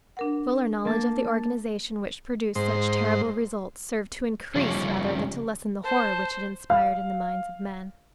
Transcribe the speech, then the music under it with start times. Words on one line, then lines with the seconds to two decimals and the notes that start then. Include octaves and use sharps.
Fuller knowledge of the organization which produced such terrible results served to increase rather than to lessen the horror which it inspired in the minds of men.
0.17 D4 A#4 F#5
0.85 A#3 A5
2.55 G#2 C5
4.55 C#3 F3 G3 C#4
5.84 C5 A5
6.70 F5